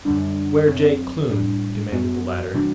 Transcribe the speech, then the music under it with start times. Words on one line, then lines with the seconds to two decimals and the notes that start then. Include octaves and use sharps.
"Where Jake Kloon?" demanded the latter.
0.05 F#2 D3 G3 D4
0.68 F#2 F#3 C4
1.30 A2 G3 D4
1.92 F#2 F#3 B3 F#4
2.54 C3 E3 G3 D4 F#4